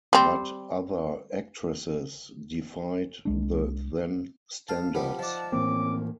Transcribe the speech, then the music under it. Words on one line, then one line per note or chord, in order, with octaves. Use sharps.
But other actresses defied the then standards.
G3 C4
C2 G#3 D4
F5 A5
C3 F3 G3 B3
F3 D#4 D5 F#5 A5
A2 E3 A#3 C4 C#4 D6